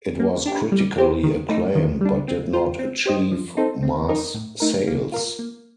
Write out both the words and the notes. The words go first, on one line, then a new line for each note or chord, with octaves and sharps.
It was critically acclaimed, but did not achieve mass sales.
A#3
D4 G4
G3
C4 G4 C5
D#3
A3 D#4
D#3
G3 D4
C4
F4 C5
C4
G4 C5 D#5
F3
C4 D#4 A4 C5
C4
D#4 A#4 D#5
A2
A3 D#4 A#4
A#3
F4 A#4
A#3